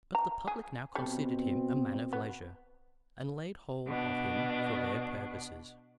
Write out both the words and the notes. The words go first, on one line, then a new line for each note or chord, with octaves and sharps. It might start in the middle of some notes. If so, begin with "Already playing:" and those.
But the public now considered him a man of leisure, and laid hold of him for their purposes.
A#5
G#4
B2 G3 A3 C4
B3
B2 D4